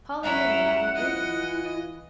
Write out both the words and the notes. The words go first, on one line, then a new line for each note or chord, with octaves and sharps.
"Call them in, that I may greet them."
F#2 C#4 E4 E5 F#5 A#5
E3 E4 F4 D#5